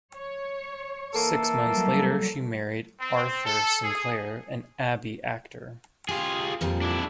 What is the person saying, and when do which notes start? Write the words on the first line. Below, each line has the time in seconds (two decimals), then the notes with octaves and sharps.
Six months later she married Arthur Sinclair, an Abbey actor.
0.15 C#5
1.14 E3 A#3 A4
1.69 F#3 G3
3.00 C4
3.45 A4
3.83 G#4
6.09 F4 G4 G#4
6.61 F2 A#2 G3
6.82 D4 E4